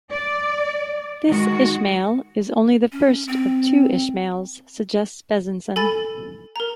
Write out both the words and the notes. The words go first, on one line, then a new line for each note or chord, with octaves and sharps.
This Ishmael is only the first of two Ishmaels, suggests Bezanson.
D5
D#3 G#3 F#4
C#4
C4
A4 G#5 B5 A6
A#4 A#5